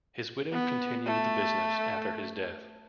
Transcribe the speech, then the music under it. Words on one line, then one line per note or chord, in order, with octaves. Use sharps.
His widow continued the business after his death.
B3
A3